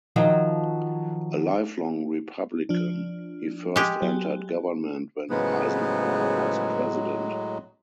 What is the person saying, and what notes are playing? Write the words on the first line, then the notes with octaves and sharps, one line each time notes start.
A lifelong Republican, he first entered government when Eisenhower was president.
D#3 F3 F#3
F3 D4
G#3 G4
F#3
A2 C#3 F3 F#3 G#3 B3